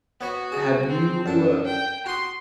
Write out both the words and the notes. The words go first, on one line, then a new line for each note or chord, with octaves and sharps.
Have you
B3 F#4 C#5 B5
G#4
C4
F#2 D4 A4
G5
F#4 C6 D#6